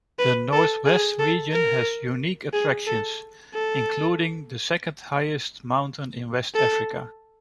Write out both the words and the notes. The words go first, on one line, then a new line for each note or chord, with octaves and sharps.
The Northwest region has unique attractions, including the second highest mountain in West Africa.
B4
A4
G#4
A4
A#4
G#4
A4
A4
A4